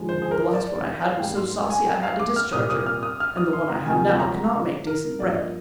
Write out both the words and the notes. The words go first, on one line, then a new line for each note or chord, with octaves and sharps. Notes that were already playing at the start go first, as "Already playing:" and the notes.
The last one I had was so saucy I had to discharge her, and the one I have now cannot make decent bread.
Already playing: D#2 D3 F3 G#3
C5
G#4
A#4
D5
F5
G#2 G3 A#3 G5
C6
G#5
G5
F5
D6
F6
C2 A#2 G3 A#3 D#6
D#6
F6
D#6
F6
D#6
C6
A#5
D2 C3 F3 A#3 G#5
A#5
A#4
G2 F3 A#3 D5
D#5